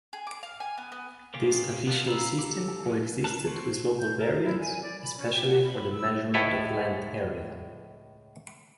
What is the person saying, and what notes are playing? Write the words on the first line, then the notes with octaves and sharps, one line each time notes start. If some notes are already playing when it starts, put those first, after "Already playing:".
This official system coexisted with local variants, especially for the measurement of land area.
G#4
D6
F5
G#5
B3
B3
A#3 B3 C#4 F4 G4
B3 D4 F4 G4
G#4 F5 A#5 B5 E6
G4 A4
A#4 B4 A5
A3 C4 F#4 C5
G6
A#4
E4
G#5
D5
B5
C#4
G4
F#5
B5
E6
C#2 A2 E4 A4 B4 C#5